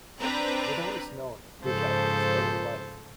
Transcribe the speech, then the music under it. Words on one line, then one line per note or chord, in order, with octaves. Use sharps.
Little is known of Blue Jacket's early life.
C4 D4 B4 A#5
G#2 C#3 F3 A4 C5